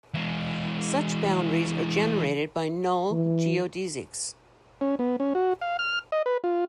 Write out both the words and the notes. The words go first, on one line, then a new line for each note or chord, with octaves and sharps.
Such boundaries are generated by null geodesics.
E3 G#3
E3
C#4
B3
C#4
F#4
F5
F6
D#5
B4
F4